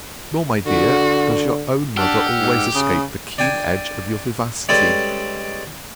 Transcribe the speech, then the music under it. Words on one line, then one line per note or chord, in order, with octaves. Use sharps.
Nor, my dear, does your own mother always escape the keen edge of your vivacity.
D3 F#4
D4 G4 F#5 E6 F6
G#2
C#3 D#6
D4 G5 G#5
G3 G#3 C#4 A4 B4 D5